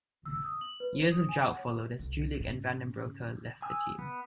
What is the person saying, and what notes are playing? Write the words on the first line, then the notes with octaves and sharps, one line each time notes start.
Years of drought followed as Julich and Vandenbroucke left the team.
E6
D#6
F#7
B4
C5
D#6
G#5
F#5
C#5
C2
G#2 C#3
G#5 D#6 E6
B3